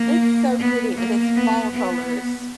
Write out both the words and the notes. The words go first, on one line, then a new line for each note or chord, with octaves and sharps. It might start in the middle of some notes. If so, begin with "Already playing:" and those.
it's so pretty and it's fall colors.
Already playing: A#3
B3
A#3
B3
B3